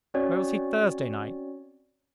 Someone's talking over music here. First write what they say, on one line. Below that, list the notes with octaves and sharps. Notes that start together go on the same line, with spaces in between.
Where was he Thursday night?
C4 C#4 F#4 C#5 D5